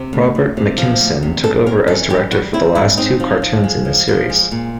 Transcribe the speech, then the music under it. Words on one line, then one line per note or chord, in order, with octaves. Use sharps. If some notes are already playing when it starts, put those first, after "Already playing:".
Robert McKimson took over as director for the last two cartoons in this series.
Already playing: C3
D2
D2
C3
F3
D2
C3
G#2 A4
C4 A#4
E3 A4
G3 G4
G3 F#4
C4 E4
G#2 E4
C4 D#4
F3
F3
G#3
F3
F3
G#3
A#2